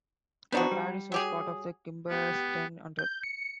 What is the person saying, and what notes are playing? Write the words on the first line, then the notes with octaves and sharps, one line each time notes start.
The parish was part of the Kilmersdon Hundred.
B3 C4 D4 D#4 F#4
G3
F#3 G4 G#4
B3 G4
G6
C#7